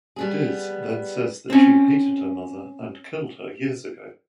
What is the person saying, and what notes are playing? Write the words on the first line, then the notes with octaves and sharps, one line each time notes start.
Diz then says that she hated her mother and killed her years ago.
G3 B3 G#4
C4 C#4